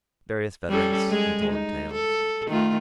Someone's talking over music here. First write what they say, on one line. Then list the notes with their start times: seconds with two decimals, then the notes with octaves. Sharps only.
Various veterans had told him tales.
0.69 G3 C#4 A4
1.09 G#3 G#4
1.51 D#4
1.93 A4
2.48 D#3 A3 F4